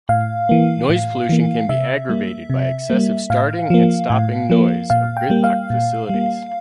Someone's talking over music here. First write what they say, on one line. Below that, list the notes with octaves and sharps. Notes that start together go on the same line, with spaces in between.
Noise pollution can be aggravated by excessive starting and stopping noise of gridlocked facilities.
A2 F5
E3 A#3
A2
E3 A#3
C3 E5
G3 A#3
C3
G3 A#3
A2 F5
F3 A#3
A2
F3 A#3
A#2 F5
G5
G3 A#3
F5
A#2
G3 A#3